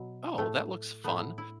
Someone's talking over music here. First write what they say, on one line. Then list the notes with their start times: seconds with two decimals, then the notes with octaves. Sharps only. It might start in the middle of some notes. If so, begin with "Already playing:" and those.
"Oh, that looks fun."
Already playing: B2 F#3
0.38 A2 A3
1.04 A2 A3 B3
1.38 E4